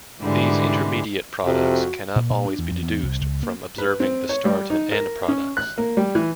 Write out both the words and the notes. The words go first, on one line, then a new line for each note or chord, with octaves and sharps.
These intermediate products cannot always be deduced from observing the start and end products.
G#2 D3 E3 G3 G#3
F2 C3 F#4
A#2
A#2
D4
E2
F2
E2
C2
C#2
A#3
B4
C4
C#5
G3
D#4
A#4
C#4
F#6
A#3
G3
E3